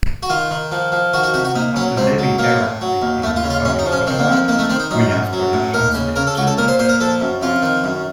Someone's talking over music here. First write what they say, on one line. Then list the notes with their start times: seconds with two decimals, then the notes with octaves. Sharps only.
After David Garrard became the starting quarterback, Williams' production slipped.
0.23 F#4
0.30 D#3 F4
0.51 D#3
0.71 F3
0.92 F3
1.13 D#3 F#4
1.23 F#4
1.34 C3 F#4
1.45 F#4
1.55 A#2 D#4
1.76 F#3 C#4
1.96 C#2 C4
2.19 F#3
2.38 F#3 A#3
2.60 A2
2.81 F#3
3.02 D#2
3.22 D#2 A3
3.36 F4
3.44 C#3
3.50 F4
3.65 F#2 C#4
3.79 D#4
3.86 F3
3.92 C#4
4.07 D#3 C4
4.19 A#3
4.28 F2 C4
4.48 D#3 A#3
4.59 A3
4.70 D#3 C4
4.80 D#4
4.91 F#2 D#4
5.11 F#2
5.33 F#3
5.53 A2
5.74 D#2 A#4
5.95 C#3
6.16 C#3 A#4
6.27 A4
6.37 C#2 F#4
6.47 A4
6.58 A#2 A#4
6.68 C5
6.79 A#2 C5
6.89 A#4
7.00 F3 A4
7.20 F#2
7.42 F2 F4
7.62 D#3
7.84 F#2